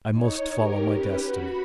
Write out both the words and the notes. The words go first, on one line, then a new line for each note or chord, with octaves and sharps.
I must follow my destiny.
D#4 C#5
G4 A#4
C#4 G4 B4
F#4 B5